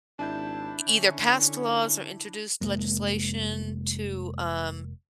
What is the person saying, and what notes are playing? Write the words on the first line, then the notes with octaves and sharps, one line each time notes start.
e either passed laws or introduced legislation to, um
G#1 D4 E4 A5 G6
D3 C#4
F1 F#2 G#3 A#3